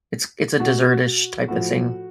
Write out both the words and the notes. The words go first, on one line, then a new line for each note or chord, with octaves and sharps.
It's it's a dessert-ish type of thing.
B2 F#4
A2 F3 F#4